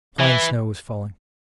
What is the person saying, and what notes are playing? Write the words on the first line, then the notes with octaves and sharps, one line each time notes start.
Fine snow was falling.
E3